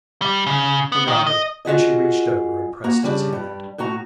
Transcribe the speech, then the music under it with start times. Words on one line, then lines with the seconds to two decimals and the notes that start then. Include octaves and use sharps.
He nodded and she reached over and pressed his hand.
0.22 G3
0.46 C#3
0.92 B3
1.08 D#3
1.27 D#5
1.65 F4 F#4 G#4 D#5
2.84 A#3 F#4 A#5
3.03 C#3 G3 D4
3.33 G2 G3
3.78 A2 A3 F#4 A#5